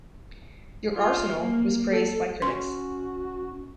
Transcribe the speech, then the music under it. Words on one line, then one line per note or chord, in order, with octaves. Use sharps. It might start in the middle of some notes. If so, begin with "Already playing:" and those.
"Your Arsenal" was praised by critics.
F4
A#3
A4
C#4 F#4 C6